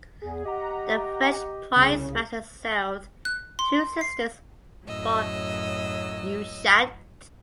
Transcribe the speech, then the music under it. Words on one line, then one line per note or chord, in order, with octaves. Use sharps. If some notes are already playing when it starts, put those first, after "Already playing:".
The French prize master sailed "Two Sisters" for Ushant.
E2 G#4
G4 D#5 F#5 A#5
C2 C#3
F#6
C6
C7
F#2 A2 F#3 D#5 E6